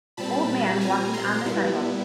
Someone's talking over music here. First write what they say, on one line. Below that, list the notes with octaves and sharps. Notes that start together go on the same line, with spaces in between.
Old man walking on the sidewalk.
A#2 G3 C4 A5 B5
G#5 A#5
A#5 C6
A#2 G3 B3 E4